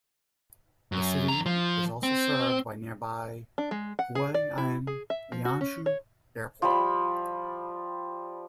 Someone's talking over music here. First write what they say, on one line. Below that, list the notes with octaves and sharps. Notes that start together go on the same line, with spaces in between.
The city is also served by nearby Huai'an Lianshui Airport.
F#2
F2 A#5
F3
C4
D4
G#3
F#5
G#4
D5
E4
G#4
E5
F3
F#4
C#4
C#5
F3 G3 B5